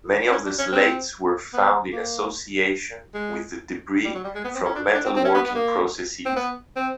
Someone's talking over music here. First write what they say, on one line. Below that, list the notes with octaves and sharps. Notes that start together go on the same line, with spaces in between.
Many of the slates were found in association with debris from metal-working processes.
C4
C#4
D4
C#4
C4
B3
A#3
G#3
G3
F#3
G3
G#3
B3
C4
C#4
D4
D4
C4
C4
C#4
B3
B3
A#3
C4
B3
C4